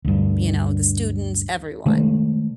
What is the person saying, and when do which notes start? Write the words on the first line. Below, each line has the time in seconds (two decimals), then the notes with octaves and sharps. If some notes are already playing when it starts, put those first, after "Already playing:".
you know, the students, everyone.
0.05 D2 G2
1.86 C3 D#3 G#3 A3